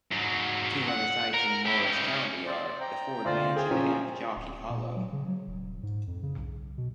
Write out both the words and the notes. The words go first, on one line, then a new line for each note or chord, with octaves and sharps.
Two other sites in Morris County are the Ford Mansion and Jockey Hollow.
G#2 F#3
F#5
A#4
E4 G4
C#4 D#4
C5 D5
G5 A#5
D2 F4 C5 D5
G#4 G5 G#5
A#2 F3 C#4
D1
A#2
F#3
C#3
F#3
D#1
G#2
F2
C#3
B1
B2